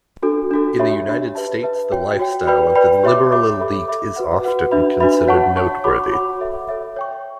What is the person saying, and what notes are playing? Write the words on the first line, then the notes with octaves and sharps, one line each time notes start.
In the United States, the lifestyle of the liberal elite is often considered noteworthy.
D4 F#4 A4
D4 F#4 A4
D4 G4 C#5 E5 B5
D4 G4 C#5 E5 B5
B4 E5 A5
B4 E5 A5
F#4 C#5 G5
F#4 C#5 G5
B4 D5 G5 B5
B4 D5 G5 B5
G4 C#5 E5 B5 D6
G4 C#5 E5 B5 D6
A4 E5 B5 D6
A4 E5 B5 D6
F#4 B4 F#5
F#4 B4 F#5
D4 F#4 B4 E5 B5
D4 F#4 B4 E5 B5
C#5 F#5 A5 C#6
C#5 F#5 A5 C#6
F#4 C#5 F#5 B5 D6
F#4 C#5 F#5 B5 D6
A4 C#5 E5
A4 C#5 E5
C#5 G5 C#6